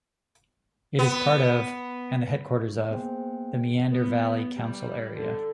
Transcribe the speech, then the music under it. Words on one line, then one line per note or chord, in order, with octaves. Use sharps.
It is part of, and the headquarters of, the Meander Valley Council area.
B3
A#3 B3 G#4 C5 G5
B3
G3
D3